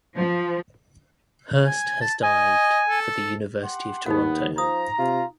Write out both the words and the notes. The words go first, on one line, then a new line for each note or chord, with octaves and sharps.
Hirst has dived for the University of Toronto.
F3
G#5
A5
D#5 G#5
A4
G4 F#5 C6
D#2 B3 D#4 F#5
F3 A#5 D#6
C3 F4